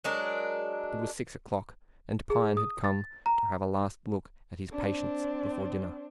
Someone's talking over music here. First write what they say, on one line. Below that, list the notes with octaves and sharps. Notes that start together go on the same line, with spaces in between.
It was six o'clock, and Pine had come to have a last look at his patients before dinner.
F#3 G#3 D4 A#4
G#4
D#6
A6
A#5
C4 D4